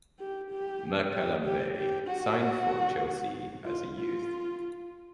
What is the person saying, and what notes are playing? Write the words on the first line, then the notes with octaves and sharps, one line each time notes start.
Ma-Kalambay signed for Chelsea as a youth.
G4
G4
G4
G4
G4
F#4
F4
F4